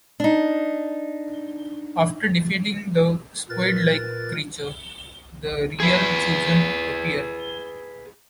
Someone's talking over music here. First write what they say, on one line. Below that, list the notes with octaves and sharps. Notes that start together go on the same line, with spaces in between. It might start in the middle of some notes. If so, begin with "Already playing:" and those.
After defeating the squid-like creature, the real Chosen appear.
D4 D#4
A#2 A#4 B4 A6
G#4 B4